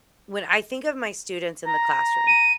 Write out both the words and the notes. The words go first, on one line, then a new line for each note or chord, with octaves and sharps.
when I think of my students in the classroom,
A#5
D#7